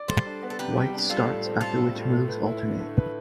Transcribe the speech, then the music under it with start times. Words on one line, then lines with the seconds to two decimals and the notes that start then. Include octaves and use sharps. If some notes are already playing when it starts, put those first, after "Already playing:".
White starts, after which moves alternate.
Already playing: D5
0.08 G3 A4 C5
0.26 D4
0.42 B3
0.50 A4
0.59 C3 G4 B4
0.77 G3
0.94 D4 G4
1.10 G3 F4 A4
1.27 A2
1.45 C4
1.61 A2 F4 A4
1.78 G3
1.95 A2
2.12 A3
2.28 B4
2.46 E4
2.63 D3
2.80 A3
2.97 B4